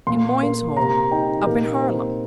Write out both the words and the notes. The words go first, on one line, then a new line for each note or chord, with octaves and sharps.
"In Moyne's home--up in Harlem."
A#2 C6
A#3
C3 A#5
D#4 G5
G4
A#2 A#4
C4